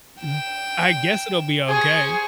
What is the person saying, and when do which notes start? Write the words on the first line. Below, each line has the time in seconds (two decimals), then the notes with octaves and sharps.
Mhm. I guess it'll be okay
0.21 G5 E7
1.67 G#4 C5 C#6